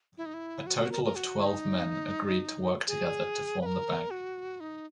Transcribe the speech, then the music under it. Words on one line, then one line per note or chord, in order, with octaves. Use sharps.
A total of twelve men agreed to work together to form the bank.
E4
D#4
E4
F#4
F#4
A#4
A#4
F#4
E4
D#4
G#4
B4
A#4
F#4
D#4